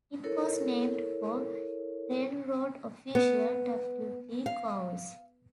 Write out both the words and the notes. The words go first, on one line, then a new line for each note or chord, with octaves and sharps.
It was named for railroad official W. D. Cowles.
E4 A4 A#4 C#5
B3
F5